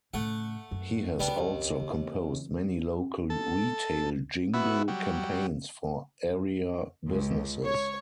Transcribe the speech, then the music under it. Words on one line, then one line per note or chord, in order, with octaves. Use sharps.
He has also composed many local retail jingle campaigns for area businesses.
A2 C#3 A3 F#5
F#2
C#2 G3 B3 D4
D#2
E3
A4
B3 E4 F#4
F#3 G3
C#2
C#5